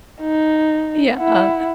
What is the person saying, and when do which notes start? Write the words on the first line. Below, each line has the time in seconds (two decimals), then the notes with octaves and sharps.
Yeah, uh
0.21 D#4
1.18 E4 F#5